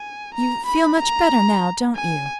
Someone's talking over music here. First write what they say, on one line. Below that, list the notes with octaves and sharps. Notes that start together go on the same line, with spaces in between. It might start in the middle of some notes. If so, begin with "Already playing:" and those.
'You feel much better now, don't you?'
Already playing: G#5
A#5
B5
A#5
G#5